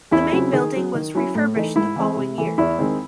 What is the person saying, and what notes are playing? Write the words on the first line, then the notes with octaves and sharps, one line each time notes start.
The main building was refurbished the following year.
E2 E4
C#3 F#3 C4
D#3 G#4
F#3 C#4
D#3
F#3 C#4 E4
A2
E3 A3 D#4
G#2 E4
E3 G#3 C4
C3
E3 A3
E2 E4
D#3 G#3 C4